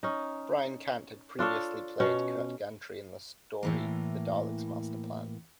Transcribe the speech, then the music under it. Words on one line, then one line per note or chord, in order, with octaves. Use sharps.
Brian Cant had previously played Kert Gantry in the story "The Daleks' Master Plan".
C#4 D#4
D4 F4 A4 C#5
B2 C#4 C#5
A2 E3 A#3